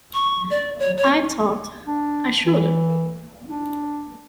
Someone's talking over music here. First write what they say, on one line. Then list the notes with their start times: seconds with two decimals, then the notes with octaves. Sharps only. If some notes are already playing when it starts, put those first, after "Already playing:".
I thought I should.
0.14 C#6
0.50 D5
0.80 C#5
0.97 C#5
1.87 D4
2.45 E3
3.49 D4